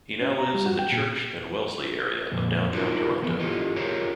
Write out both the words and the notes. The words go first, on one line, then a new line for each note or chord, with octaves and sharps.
He now lives in the Church and Wellesley area of downtown Toronto.
C#4
A#5
G3
F#4
G5
A#2
F2 A#2
D4 D#4 F4 F#4 A#4
E3 F3 B3
E4 F4 G4 A4 D#5
F4 G4 G#4 A#4 C5 C#5